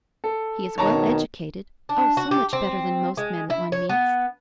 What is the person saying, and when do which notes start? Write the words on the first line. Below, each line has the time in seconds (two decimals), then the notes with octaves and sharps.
He is well educated;--oh, so much better than most men that one meets.
0.24 A4
0.78 B2 D#3 C#5 A5 A#5
1.89 D4
2.17 F#4
2.31 G4
2.53 C4
3.17 G#3
3.50 E4
3.72 C#5
3.89 B3